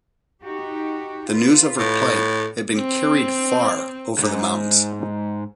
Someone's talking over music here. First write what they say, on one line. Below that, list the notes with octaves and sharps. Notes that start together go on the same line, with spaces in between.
The news of her plight had been carried far over the mountains.
D#4 F#4 G4
F4 B4
A2
C4
C#2 G#2